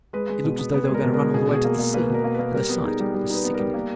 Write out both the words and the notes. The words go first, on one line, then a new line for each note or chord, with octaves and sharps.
It looked as though they were going to run all the way to the sea, and the sight was sickening.
G#3 B4
G#3
B2
B3
B3
G#4
G#3
A#4
B2
A#4
G#3
B2 G#4
B2 G#4
A#3
A#3 G#4
A#3 B4
B2 A#4
A#3
A#3 B4
G3 A#4
B3
D#4 G#4
G3
G3 A#4
D#4 B4
B3
A#4
G3
A#3